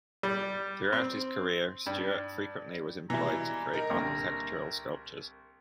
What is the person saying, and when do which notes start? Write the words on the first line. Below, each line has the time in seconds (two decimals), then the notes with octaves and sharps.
Throughout his career Stewart frequently was employed to create architectural sculptures.
0.23 G3
0.93 C4
1.86 G2
3.10 B2 E3 G3 E4 A#5
3.74 D#4 A#4
3.90 C2 A#2 D3